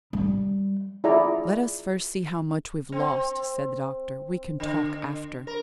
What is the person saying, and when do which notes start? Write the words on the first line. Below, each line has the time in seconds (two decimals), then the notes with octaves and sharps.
"Let us first see how much we've lost," said the doctor; "we can talk after."
0.13 G3
1.04 E4 F4 G#4 D5 A#5
2.92 C4
4.60 D3
5.47 A#4